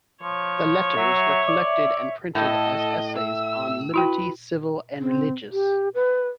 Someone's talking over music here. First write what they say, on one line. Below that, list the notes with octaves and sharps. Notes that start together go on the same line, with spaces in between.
The "Letters" were collected and printed as "Essays on Liberty, Civil and Religious".
F3 C#5
F#3 E5
D5
A2 A4 D#5
E5 E6
E4 F#4 B4 G5
C4
G4
B4